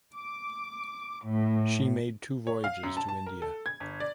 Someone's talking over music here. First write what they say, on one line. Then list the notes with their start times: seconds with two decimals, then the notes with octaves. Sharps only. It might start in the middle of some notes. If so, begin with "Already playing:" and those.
She made two voyages to India.
0.16 D6
1.26 A2
2.47 C#5
2.64 F5
2.83 F#2
2.97 A5
3.09 A5
3.26 A#4
3.42 A4
3.66 G#6
3.80 G1
4.00 D5